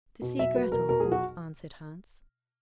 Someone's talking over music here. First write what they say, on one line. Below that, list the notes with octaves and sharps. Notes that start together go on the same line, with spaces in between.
'To see Grettel,' answered Hans.
B2
F#3 E5
F#3 B4
B2 A#4
B2 A#4
F#3 G#4
F#4